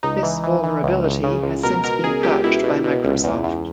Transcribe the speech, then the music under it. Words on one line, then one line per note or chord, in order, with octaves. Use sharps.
This vulnerability has since been patched by Microsoft.
C#2 D#4
E3
E3
E3
C#2
C#2
C#3
C#2
B2 A#4
B2 A#4
C#2 G#4
C#2 G4
B2 E4
B2
B2
C#2
E2
E2